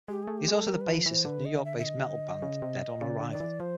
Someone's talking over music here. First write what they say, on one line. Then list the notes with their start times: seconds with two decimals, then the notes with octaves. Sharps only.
He is also the bassist of the New York-based metal band Dead on Arrival.
0.08 G#3 G4
0.23 A3 G#4
0.38 G4
0.48 G#3 A4
0.67 G3 A#4
0.81 B4
0.87 F3
1.06 E3 C5
1.25 D3 B4
1.45 D#5
1.65 E5
1.78 E5
1.83 D#5
2.42 C#3
2.62 C3
3.01 C#3 D5
3.21 D3
3.31 D#3 D5
3.40 E3
3.60 F3 C5